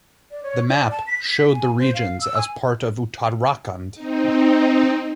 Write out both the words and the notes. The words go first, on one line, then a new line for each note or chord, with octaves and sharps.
The map showed the regions as part of Uttarakhand.
D5
C#5
D5
A5
B6
G#5
C5
F5
E6
G#5
C4 D#4